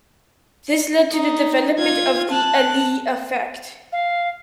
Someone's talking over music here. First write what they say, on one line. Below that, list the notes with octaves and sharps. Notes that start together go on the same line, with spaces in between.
This led to the development of The Allee effect.
D#4
F4 G#6
A5 F#6
F5